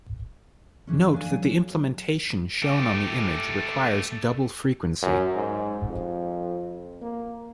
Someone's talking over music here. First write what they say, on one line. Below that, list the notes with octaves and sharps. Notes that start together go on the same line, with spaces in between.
Note that the implementation shown on the image requires double frequency.
F2 E3 C#4
D2 D4 F5 G#5
F#3
A3 G4
F#2
G#2
F2
A#3